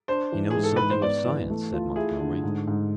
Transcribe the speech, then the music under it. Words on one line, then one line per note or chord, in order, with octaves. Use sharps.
"He knows something of science," said Montgomery.
D4 C5
E3
G#2 G#4
A4
G#2 B4
C5
B3 D5
E3
A3
F4
E4 G#4
D3
G#2
G#2